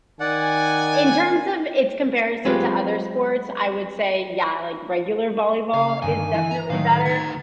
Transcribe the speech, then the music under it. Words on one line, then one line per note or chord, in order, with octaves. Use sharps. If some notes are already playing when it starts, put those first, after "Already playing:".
In terms of its comparison to other sports, I would say, yeah, like, regular volleyball is definitely better,
D#3 D5 F#5 G#5
F#3 G#3 C4 F4 G4 B4
C#3 F5
G2 D3 D#3 G#5
E3
A#5
A2 D#3 F#3 F5
D2 D#4 G#6